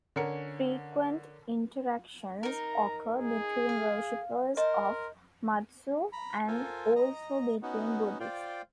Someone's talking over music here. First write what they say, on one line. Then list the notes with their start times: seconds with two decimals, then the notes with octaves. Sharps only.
Frequent interactions occur between worshipers of Matsu, and also between Buddhists.
0.16 D3 C#4 A#4 C#7
2.43 D#4 A#4 A#5
3.13 G#4
3.69 F5
4.57 A#4 C5 D#5
6.12 A#5 B5
6.48 F4 A4 A#4 C5 G#5
6.96 D#5 A#5
7.62 B3 C#4 D#4 F#4
8.20 F4 C5 D5 F5 G5